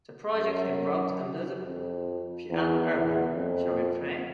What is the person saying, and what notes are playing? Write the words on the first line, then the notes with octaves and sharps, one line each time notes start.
The project involved another piano album, Shall we Play?
F#2
F2
E2
E2
F2